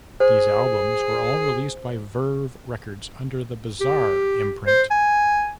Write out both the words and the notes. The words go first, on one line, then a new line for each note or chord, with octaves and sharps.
These albums were all released by Verve Records under the Bizarre imprint.
G#4 C5
G4
C5
G#5